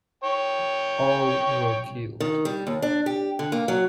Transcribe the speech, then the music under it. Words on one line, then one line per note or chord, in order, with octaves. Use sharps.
All were killed.
C#5 G5
D#3
G3
D#2
D4
G4
D3
A#3
F#3